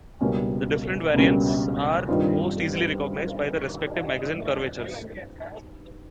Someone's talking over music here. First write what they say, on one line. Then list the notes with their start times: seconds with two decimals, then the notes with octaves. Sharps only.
The different variants are most easily recognized by their respective magazine curvatures.
0.21 C#2 B2 G3 A#3 C#4
1.14 C#2 B2 G3 A#3 C#4
2.08 G2 D#3 G3 C4 F4